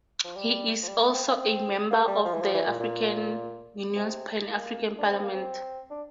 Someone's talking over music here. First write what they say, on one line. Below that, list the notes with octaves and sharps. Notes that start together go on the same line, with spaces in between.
He is also a member of the African Union's Pan-African Parliament.
F3
G3
F3
G3
A3
C4
A#3
C4
A#3
G3
F3
E3
F3
E3
A#2
A#2
C3
A#3
D4
C4
A#3
C4
D4